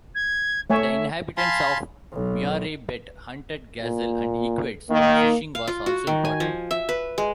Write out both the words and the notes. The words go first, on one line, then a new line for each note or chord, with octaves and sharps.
The inhabitants of Mureybet hunted gazelle and equids and fishing was also important.
G#6
A3 C#5 E5 G#5
F5 G#5 A5 B5 C6
B1
A#2
D#3 A#3
F5
F4
F#4
D#3
G#5
F3
E5
B4
G#3